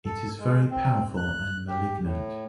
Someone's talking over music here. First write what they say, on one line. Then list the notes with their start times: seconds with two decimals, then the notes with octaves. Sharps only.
It is very powerful and malignant.
0.06 A4
0.39 G#3
0.71 C4
1.17 F#6
1.68 G4
2.05 A2